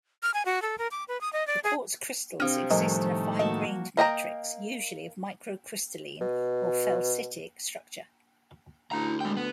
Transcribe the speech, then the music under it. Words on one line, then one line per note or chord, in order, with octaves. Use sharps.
The quartz crystals exist in a fine-grained matrix, usually of micro-crystalline or felsitic structure.
F6
G#5
F#4
A4
A#4
D6
B4
D#6
D#5
D5
G#4
C3 C4 D4 G5 F6 A#6 D#7
A2 D#3 F3 G3 A3 D#5
A#3 F#4 D#5 A5
A#3 D#5 G5 A#5
B2
D2 E4 A#5
G#3 G5
B3